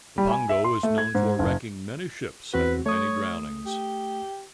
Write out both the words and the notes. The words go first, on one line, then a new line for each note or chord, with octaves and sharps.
The pongo is known for wrecking many ships and many drownings.
G3
G#5
E5
C6
A3
G#6
G#2
F#1
E2 C4 F#4 B4
A3 C#5 D#6
G4